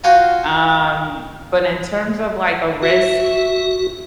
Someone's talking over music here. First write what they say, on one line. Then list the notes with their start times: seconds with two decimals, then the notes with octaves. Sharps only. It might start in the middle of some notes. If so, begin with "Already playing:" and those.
Um, but in terms of, like, a risk,
0.04 F4 F#4 F5 G5 G#5 A#5
2.83 F#4 E5